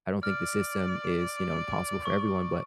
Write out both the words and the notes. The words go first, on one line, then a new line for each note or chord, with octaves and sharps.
I don't think the system is, you know, impossible for everyone but,
D5 F6
C#6